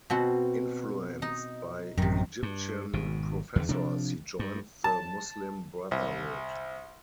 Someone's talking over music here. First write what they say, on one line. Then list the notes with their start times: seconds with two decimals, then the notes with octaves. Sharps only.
Influenced by Egyptian professors, he joined the Muslim Brotherhood.
0.10 B2 C4 F#4
1.22 D#4
1.98 A1 F#2 C3 D#3
2.43 G2
2.93 G#1 B2
3.56 E2 D3
3.69 C3 F3 D4
4.39 G2
4.84 A5
5.91 C2